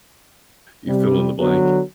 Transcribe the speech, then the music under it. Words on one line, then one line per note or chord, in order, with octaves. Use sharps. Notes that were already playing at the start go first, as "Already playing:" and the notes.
you fill in the blank,
C3 G3
D3 F#3 B3